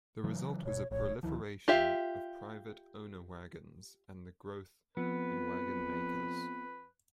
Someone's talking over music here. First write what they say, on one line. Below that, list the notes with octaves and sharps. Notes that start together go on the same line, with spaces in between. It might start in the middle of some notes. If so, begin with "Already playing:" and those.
The result was a proliferation of private owner wagons, and growth in wagon makers.
C#3 E3 F#3
D#1 B1 B2 C#5
A#1 A2 C#5
D2 D#3 F3 E4
F4 G4 E5 F5
F2 F3 B3 B4